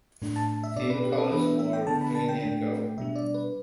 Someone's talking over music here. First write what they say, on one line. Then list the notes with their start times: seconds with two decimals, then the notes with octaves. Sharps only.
The team colors were green and gold.
0.22 A2 A3 D4
0.36 A5
0.49 A5
0.63 E5
0.76 B2 B3 D4 D5
0.90 B4
1.04 G4
1.12 B4
1.18 A4
1.32 E3 B3 D4 B4
1.46 E5
1.59 E5
1.73 G5
1.87 D3 B3 D4 A5
2.01 B5
2.15 A5
2.29 G5
2.42 A2 A3 D4
2.97 B2 G3 D4 E5
3.15 D5
3.34 B4